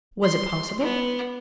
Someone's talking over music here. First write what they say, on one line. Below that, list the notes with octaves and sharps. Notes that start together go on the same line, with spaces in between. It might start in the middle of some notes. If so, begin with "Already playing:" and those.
Was it possible?
C6
B3